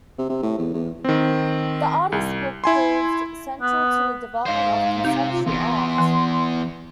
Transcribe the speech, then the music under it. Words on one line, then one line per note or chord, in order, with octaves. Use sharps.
The artist's book proved central to the development of conceptual art.
C3
C3
A2
E2
E2
D#3 C4
C2
E4 G#5 C6
B3
G#2 C5 F5
C3 D#4
F4
G#1 E2 C6
E3